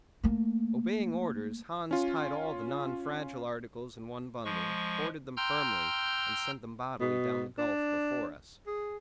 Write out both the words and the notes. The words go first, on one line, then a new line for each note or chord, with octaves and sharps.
Obeying orders, Hans tied all the non-fragile articles in one bundle, corded them firmly, and sent them bodily down the gulf before us.
A3 A#3
C#4 F4
F3 G#3 C#6
G5 A#5 C6 E6 F6 G6
B2
D4
G#4